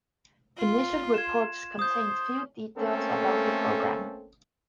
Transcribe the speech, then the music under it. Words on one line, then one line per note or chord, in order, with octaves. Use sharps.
Initial reports contained few details about the program.
F4
G#6 E7
C5 D#6 G6
A3 A#3 C4 C#4 A4